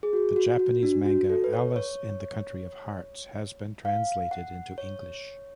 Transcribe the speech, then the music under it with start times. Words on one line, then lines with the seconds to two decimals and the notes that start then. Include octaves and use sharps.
The Japanese manga "Alice in the Country of Hearts" has been translated into English.
0.03 G#4
0.13 F#4
0.36 F#4
0.59 F#4
0.83 D4
1.06 F#4
1.30 A4
1.44 B4
1.53 C#5
1.76 C#5
3.85 F5
4.31 F#5
4.78 C#5